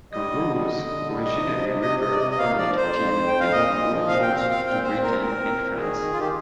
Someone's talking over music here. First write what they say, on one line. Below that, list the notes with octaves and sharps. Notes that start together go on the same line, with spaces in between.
"Kangaroos" originally referred only to teams on "Kangaroo Tours" to Britain and France.
G3 D#5
D3
G3
D3 D#5
D3
G3
C3 D#5
F3
C3
C3 D#5
C3 D#5
D5
C3 D#5
D#5
A#3 F5
F3 D5
F2 C5
F2
F2
G5
F2
F5
A#2 D#5
A#2
F3
A#2 F5
G5
C4
F5
C4 F5
A#2 G5
C4 C5
A#2 A#4
C4 A#4
C4
A#2
D#3 G#4
D#3
F4
D#3 G4